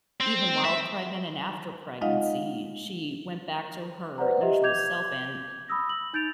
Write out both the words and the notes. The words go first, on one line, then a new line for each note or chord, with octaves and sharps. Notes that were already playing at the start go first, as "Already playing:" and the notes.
even while pregnant and after pregnancy, she went back to her usual self and,
C4
E5
G#3 D#4 F4 D#5 F5 F#5
B4 C5 D5 F#5 A#5
G4 D#5 E5 A#5
D6 G6 G#6 F7
B5 D#6 E6 A#6
F#7
D#4 G6 A6 D7 F7